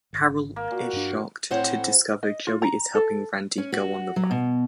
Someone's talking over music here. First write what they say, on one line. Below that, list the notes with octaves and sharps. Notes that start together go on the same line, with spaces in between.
Carol is shocked to discover Joey is helping Randy go on the run.
G#1
A#3
A#2 F#4
G2 D4
A2 C4 C5 C#5 F#5
D#5
F4
A#5
A4
C#4
F#4
F#3
B2